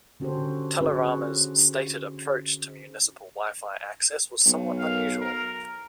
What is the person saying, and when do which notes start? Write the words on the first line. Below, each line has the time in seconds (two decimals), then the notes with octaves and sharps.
Telerama's stated approach to municipal Wi-Fi access was somewhat unusual.
0.20 D3 C#4 F#4 G4 A4 C5
0.81 C#4 E4 F#4 G#4 C5
4.46 B1
4.79 F5
5.21 A#4